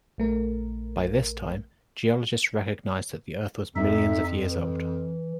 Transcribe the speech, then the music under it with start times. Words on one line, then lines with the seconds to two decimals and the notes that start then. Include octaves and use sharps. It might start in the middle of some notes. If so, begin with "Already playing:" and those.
By this time, geologists recognised that the Earth was millions of years old.
0.18 A#1 A3 A#4
3.76 F2 D#4 A4 E5
4.51 E3